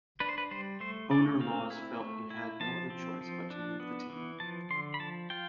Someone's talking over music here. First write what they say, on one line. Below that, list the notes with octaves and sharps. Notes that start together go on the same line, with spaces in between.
Owner Laws felt he had no other choice but to move the team.
D4 B4
C5
B4
G3 C5
A3 C5
A3 D5
C4 F5
E4
A3
E4
F3 A5
C4
F3
D4
B3
E3
F3 A5
D3 C6
B5
F3 A5
F4 G5